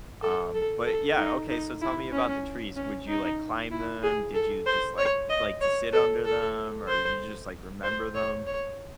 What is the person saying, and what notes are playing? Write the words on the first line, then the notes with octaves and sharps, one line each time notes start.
um, but yeah, okay, so, tell me about the trees, would you, like, climb them? Did you just, like, like to sit under them, or you just, like, remember them?
A4
A4
A4
D#4
D#4
E4
C#4
C#4
D#4
E4
G#4
A4
C5
C#5
D#5
C#5
A4
A4
C5
C5
C#5
C#5